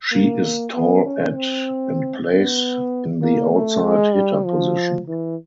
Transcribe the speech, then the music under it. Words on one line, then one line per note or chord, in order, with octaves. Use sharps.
She is tall at and plays in the Outside Hitter position.
A#3
B3
C#4
C4
B3
A#3
A3
G#3
G3
F3
E3